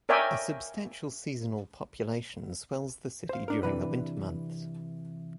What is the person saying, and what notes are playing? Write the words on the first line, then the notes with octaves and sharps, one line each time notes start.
A substantial seasonal population swells the city during the winter months.
A#4 C#5 D5 E5 G5 G#5
C5 F5
D4 A#4
C3 E3 D4 B4